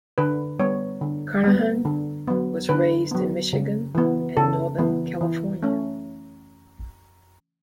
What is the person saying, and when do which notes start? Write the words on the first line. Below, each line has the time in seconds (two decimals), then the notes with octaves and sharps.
Carnahan was raised in Michigan and Northern California.
0.18 D3 B4
0.59 G3 B3 C#5
1.01 D3
1.43 G3 B3
1.85 D3
2.28 F#3 B3
2.69 D3 B4
3.11 F#3 B3
3.53 C#3
3.95 E3 B3
4.37 C#3 A4
4.79 E3 B3
5.21 E3
5.62 A3 C#4